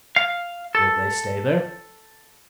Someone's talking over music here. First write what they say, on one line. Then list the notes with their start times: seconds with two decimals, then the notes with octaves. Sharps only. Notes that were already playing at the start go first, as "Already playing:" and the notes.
"Will they stay there?"
0.16 F5
0.75 A4